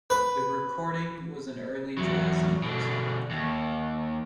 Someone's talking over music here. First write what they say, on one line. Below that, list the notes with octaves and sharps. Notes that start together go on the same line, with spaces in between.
The recording was an early jazz and blues hit.
B4
E2 F#3
B2 D3
D#2